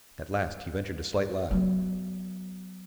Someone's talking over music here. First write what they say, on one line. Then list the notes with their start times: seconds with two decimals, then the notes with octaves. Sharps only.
At last he ventured a slight laugh.
1.51 F#3 B3